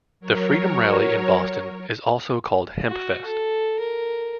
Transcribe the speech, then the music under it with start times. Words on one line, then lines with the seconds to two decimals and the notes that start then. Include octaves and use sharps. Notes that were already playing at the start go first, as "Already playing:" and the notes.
The Freedom Rally in Boston is also called Hempfest.
0.20 F#3 A#4 C#5
2.88 F#4
3.25 A4
3.79 A#4